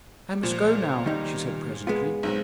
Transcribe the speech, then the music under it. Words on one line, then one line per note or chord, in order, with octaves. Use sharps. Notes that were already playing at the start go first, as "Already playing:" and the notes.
'I must go now,' she said presently.
A#2 F3
D#3 G3 D#4
G#3 B3 F4
B1 G#2 C4